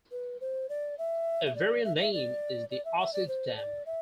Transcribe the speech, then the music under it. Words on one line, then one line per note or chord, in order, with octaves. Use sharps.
A variant name is the "Osage Dam".
B4
C5
D5
E5
E5
D5
E5
E5
D5
D5
E5
E5
D5
C5
D5
E5